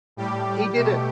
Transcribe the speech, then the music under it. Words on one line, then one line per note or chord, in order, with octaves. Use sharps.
He did it.
A2 G3 G4
B2 A3